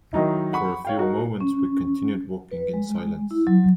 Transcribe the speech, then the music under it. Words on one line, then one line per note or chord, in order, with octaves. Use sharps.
For a few moments, we continued walking in silence.
D#3 F#3 D#4 E4
F#5 B5 C#6
C#5 F5 G5
D#4 F#4 A#4 F#5
C#4
B4
G#3
E4
F#3